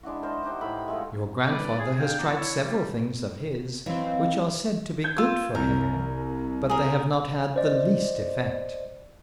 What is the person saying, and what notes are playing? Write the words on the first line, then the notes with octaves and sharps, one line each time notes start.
Your grandfather has tried several things of his, which are said to be good for hair; but they have not had the least effect.
G#3 D4 E4 F#4
A#4 C5 D#5 A5
D#4 F#4 G4 C5
A2 B5
G#3 A3 F4
E3 G3 A4 B4 D5
G#4
D4 D#4 G#4 F5 G5
A2 B3 D#4 F#4 D5 A5
D4 E4 C#5
G3
E3 F#3 C4 D#5 F5
G6 G#6
F4 E6
C2 A#4
G#4 A#4
C5 D5 D#5